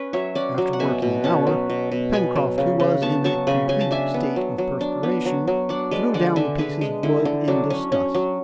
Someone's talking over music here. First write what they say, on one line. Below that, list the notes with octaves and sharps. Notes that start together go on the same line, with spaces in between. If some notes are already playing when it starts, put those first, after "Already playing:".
After working an hour, Pencroft, who was in a complete state of perspiration, threw down the pieces of wood in disgust.
Already playing: C#4 B4
F#3 C#5 E5
C#4 D5 F#5
F#3
F#5
B2 E5 G#5
B2
C#4 F#5 A5
F#3
B2
B2
B3 G#5 B5
F#3
C#3
C#3
B3 A5 C#6
F#3 A5 C#6
C#3 G#5 B5
C#3 G#5
A5
D4 E5 G#5
B3
F#3
F#3
D4
B3
F#3
F#3
D4 D5 F#5
G#3 B4 D5
D3 D5 F#5
D3 E5 G#5
D4 G#4 B4
G#3
D3 E4
D3
F#3 D4
C#4
C#4
F#3